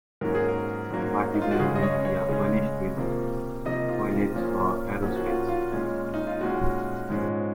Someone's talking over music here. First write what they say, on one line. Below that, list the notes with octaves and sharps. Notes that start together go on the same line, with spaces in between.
Bartizans generally are furnished with oillets or arrow slits.
G#2 F#3 A#3 C#4 A#4
G#4
A#4
G#2 F#3 A#3 C#4
D#4
F4
F#4
C#3 G#3 C#4 G#4
D#5
C#5
C#5
C#3 G#3 C#4
C3 F3 A#3
C3 F3 A#3 D#5
F4
F4
A#2 F3 A#3 C#4
A#2 F3 A#3 C#4 F#4
F#4
F4
F4
A#2 G#3 C#4
D#4
F4
A#2 G#3 C#4 F#4
G#2 F3 G#3 C#4